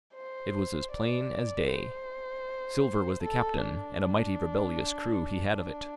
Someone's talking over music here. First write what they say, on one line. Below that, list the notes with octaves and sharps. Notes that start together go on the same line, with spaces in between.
It was as plain as day. Silver was the captain, and a mighty rebellious crew he had of it.
C5
D5
C5
A4
D4
D4